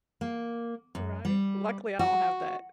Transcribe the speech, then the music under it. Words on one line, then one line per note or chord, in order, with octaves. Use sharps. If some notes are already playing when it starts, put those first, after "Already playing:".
Right. Luckily, I don't have that.
A#3
F#2
G3
F#4